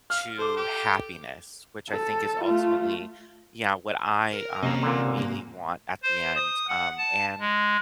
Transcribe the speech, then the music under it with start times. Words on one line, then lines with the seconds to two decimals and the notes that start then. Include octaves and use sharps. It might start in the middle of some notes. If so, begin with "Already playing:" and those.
to happiness, which I think is ultimately yeah, what I, um, really want at the end. Um, and
0.10 F5 F6
0.39 A4 C5 D6
0.57 G4
1.90 A4
2.45 A3 F4
4.33 A#4
4.63 C3 A#3 C#4 G4 D#5
4.82 A#2 D3
5.17 G#2 A#3
6.03 C5
6.36 D#6
6.68 F#5
6.98 A5
7.40 G#3